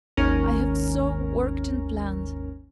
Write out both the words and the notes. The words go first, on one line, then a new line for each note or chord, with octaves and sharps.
I have so worked and planned.
G#1 D#2 C#4 A#4